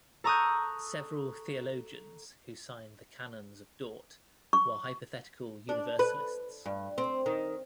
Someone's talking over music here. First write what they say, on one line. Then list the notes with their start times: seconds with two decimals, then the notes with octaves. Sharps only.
Several theologians who signed the Canons of Dort were hypothetical universalists.
0.24 A4 A#5 C#6 D#6 F#6 G6
4.53 C#6
5.69 D4
5.99 B4
6.65 G2
6.98 C4
7.26 D#3